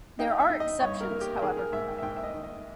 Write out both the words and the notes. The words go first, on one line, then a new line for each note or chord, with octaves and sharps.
There are exceptions, however.
D#4 G5
E5
D#4
D#5
G2 C#5
A#4
A#3
G4
D#3 G#4
A#4
G#2 E5
G5
E5
G#2 G5
E5
D#5
D#3
D#5